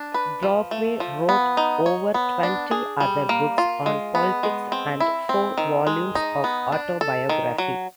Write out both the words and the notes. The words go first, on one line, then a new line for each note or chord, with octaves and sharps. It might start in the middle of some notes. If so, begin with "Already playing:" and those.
Brockway wrote over twenty other books on politics and four volumes of autobiography.
Already playing: D4
B4
F3
A3
F3
B3
D#4
C#5
B3
D4
G#4
G3
A#3
F4
G#3
B3
G#3
C4
E4
C4
D#3
G#3
D#4
B3
D4
A4
D#3
F#3